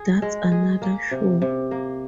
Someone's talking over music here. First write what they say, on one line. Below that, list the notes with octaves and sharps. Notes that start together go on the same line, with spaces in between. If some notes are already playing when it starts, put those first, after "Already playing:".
That's another show.
Already playing: G#4
G#3
G#4
A#3
C3
C3
A#3